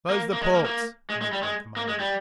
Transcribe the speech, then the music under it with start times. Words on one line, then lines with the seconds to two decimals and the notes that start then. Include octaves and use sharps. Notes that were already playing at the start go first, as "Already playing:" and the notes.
"Close the ports!" Miko commanded.
0.10 A#3
0.33 A#3
0.42 G#3
0.55 A#3
0.66 A#3
1.10 G#3
1.22 G#3
1.33 G3
1.43 G#3
1.77 A#3
1.89 G#3
2.00 G3